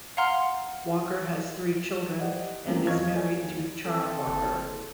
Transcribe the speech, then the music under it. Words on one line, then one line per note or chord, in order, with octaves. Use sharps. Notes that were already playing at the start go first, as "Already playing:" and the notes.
Walker has three children and is married to Char Walker.
F5 F#5 A#5 C6 F6
G4 C5 D5 D#5 F#5
E3 F#3 A3 A#3 C4 C#4
E2 F3 D#5 F5 C#6 G#6
G#4 A4 C#5 D5 G#5
D#2
C4 A4
F#1